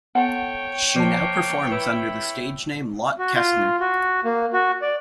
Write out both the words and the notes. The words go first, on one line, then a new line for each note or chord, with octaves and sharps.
She now performs under the stage name Lotte Kestner.
B3 A4 C#5 F#5 G5
F3 A#3 C5 A5
E4 B4
F#4
F4
F#4
A#3
F#4
D5